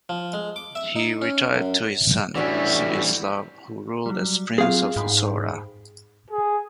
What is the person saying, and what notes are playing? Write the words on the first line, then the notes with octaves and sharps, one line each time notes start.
He retired to his son, Sibislav, who ruled as Prince of Usora.
F3
G#3
D6
E5
D#4
C#4
F#2
A2 E3 G3 C#4 D4 F#4 E5
F#3 G3
F#3 C4 F4 G#4 F5
G#2 G5 B5
G#4